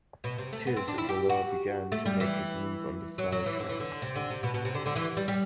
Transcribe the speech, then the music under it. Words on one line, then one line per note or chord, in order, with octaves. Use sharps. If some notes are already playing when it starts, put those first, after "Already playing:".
Tiz the Law began to make his move on the far turn.
B2
C3
A3
B3
C4
D4
E4
G4
F#4
A3
G3
E3
F#3
F#3
E3
D3
E3
D3
C3
D3
C3
B2
B2
C3
D3
D3
E3
G3
G3